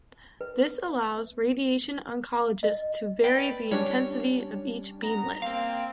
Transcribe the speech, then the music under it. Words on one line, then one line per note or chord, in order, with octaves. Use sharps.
This allows radiation oncologists to vary the intensity of each beamlet.
B4
D#5
B4 D5 G5
G3 C#4 D4 C#5
B3 A#5
A#3 C4 F5